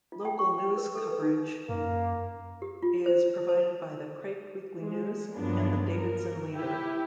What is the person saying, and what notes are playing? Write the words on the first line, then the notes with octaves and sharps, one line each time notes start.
Local news coverage is provided by the "Craik Weekly News" and the "Davidson Leader".
F4
G5
C#6
G5
A#4
A4
B4
D#4
F#2 A#3
G4
F4
C5
C5
G#3
G2 F3 F#3 A#3 B3 D4
A#4
E4 G4 B4